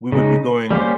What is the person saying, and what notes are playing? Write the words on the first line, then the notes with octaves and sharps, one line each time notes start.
we would be going
C#3 G#3 D#4
G3 A#3 C#4 G4 C5